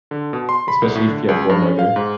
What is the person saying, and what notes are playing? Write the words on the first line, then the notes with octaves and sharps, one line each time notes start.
especially if you have warm weather,
D3
B2
C6
B5
C2
A2
D3
C#2
G2
C#4
F5
G#2